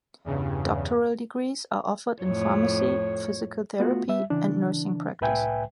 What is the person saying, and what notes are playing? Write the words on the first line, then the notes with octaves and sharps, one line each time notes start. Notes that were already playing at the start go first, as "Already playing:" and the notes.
Doctoral degrees are offered in pharmacy, physical therapy, and nursing practice.
E2 G2 C#3
F2 A2 C#5
A3 B3 F4 F#4
G3 E5
C#3 E3 D4
C2 A2 B4 E5 G5 G#5